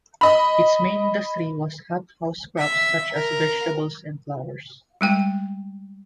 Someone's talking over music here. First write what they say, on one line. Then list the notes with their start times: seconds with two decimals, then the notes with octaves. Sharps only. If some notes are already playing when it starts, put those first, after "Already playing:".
Its main industry was hothouse crops such as vegetables and flowers.
0.21 D#5 B5
2.58 E5
3.14 A#4
5.01 G3 G#3 G5